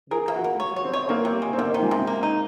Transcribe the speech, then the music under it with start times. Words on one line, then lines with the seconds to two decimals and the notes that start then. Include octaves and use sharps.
They compete in the Avon valley league.
0.11 G#4 A#4
0.28 A#3
0.36 F#4
0.44 A#4
0.60 C#5
0.76 C#5
0.84 C4
0.93 C#5
1.09 C3 A#3
1.25 C3
1.42 G#3
1.53 C4
1.58 C3 A#3
1.74 D#3
1.83 G#3
1.91 C3
2.07 A#3
2.23 D#4